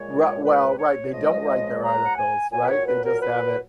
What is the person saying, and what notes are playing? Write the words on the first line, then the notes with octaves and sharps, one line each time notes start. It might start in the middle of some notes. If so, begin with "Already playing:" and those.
Ri well, right they don't write their articles, right? They just have it
Already playing: A#2 G#3 C#5
B4
C#5
C#2 C#3 F3 G#3 D#5
A#5
F#5
G#5
A#2 F#3 G#5
B4
C#5
B4
A#4
B4